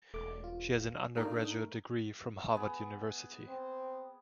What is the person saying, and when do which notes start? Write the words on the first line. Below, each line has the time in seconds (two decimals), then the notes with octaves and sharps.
She has an undergraduate degree from Harvard University.
0.14 E1 A3 D6
0.44 F4
1.17 A3 A#3 D4 D#4 A#4
2.55 B3 G#4
3.48 C4